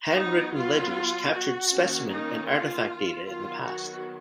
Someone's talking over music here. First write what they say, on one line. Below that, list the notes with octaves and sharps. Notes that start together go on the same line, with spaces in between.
Handwritten ledgers captured specimen and artifact data in the past.
F#3 B3 D#4
F4
F#4
D#3 A#3 C#4
D#4
F4
D#3 F#3 B3 F4
F#4